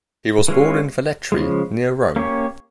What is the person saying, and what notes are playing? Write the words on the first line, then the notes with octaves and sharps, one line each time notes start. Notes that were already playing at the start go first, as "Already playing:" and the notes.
He was born in Velletri, near Rome.
E3 G#3 C#4 F4
C#3 F3 G#3
A#3 C#4 G4 C#5